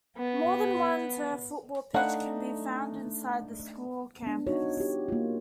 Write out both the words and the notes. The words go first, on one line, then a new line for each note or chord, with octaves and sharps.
More than one turfed football pitch can be found inside the school campus.
B3
A3 D4 D#4 F5 F#5
B3 D4
D#4 F#4 C#5
F4 G4
A#3 F4